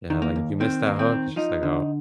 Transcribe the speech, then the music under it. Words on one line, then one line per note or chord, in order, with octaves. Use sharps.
Yeah, like, if you miss that hook, it's just like, "Oh,
D#3
A#3
D#2
D#3 C4
D#2 A#3
C4
D#3
F3 D#4
D3